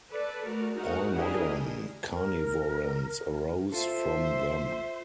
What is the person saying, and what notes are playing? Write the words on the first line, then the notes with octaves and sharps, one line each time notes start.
All modern carnivorans arose from them.
A4 B4 D5
A3 F#4 A#4
G#3 D#4 F#4 A#4 F#5
D4 E4 G4 G#4 A#4 D#5
A#4
F4 A4 C5 E5